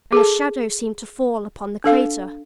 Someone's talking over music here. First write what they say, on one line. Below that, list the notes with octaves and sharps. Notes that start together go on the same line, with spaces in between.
And a shadow seemed to fall upon the crater.
G#4 A4 A5
D4 A4 F5